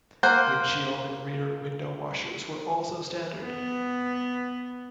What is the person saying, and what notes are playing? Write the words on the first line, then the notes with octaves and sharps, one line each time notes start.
Windshield and rear window washers were also standard.
A#3 C5 F#5
B3